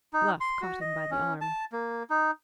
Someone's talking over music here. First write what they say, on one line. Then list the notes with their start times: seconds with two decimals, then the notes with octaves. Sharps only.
Bluff caught him by the arm.
0.13 D#4
0.40 C6
0.61 F#4
0.81 D#5
1.11 C#4
1.41 A5
1.72 A#3
2.10 D#4